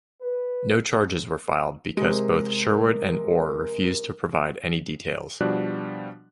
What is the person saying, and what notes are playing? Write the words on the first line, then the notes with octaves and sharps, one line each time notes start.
No charges were filed because both Sherwood and Ore refused to provide any details.
B4
C3 G#3 A#4
B2 F3 G3 D4 F#4 F#6